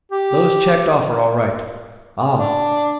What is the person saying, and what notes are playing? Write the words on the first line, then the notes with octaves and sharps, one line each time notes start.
"Those checked off are all right."
G4
D4